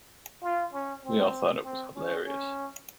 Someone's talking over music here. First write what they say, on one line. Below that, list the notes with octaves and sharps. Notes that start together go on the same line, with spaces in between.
We all thought it was hilarious.
F4
C#4
C4
C4
C#4
C#4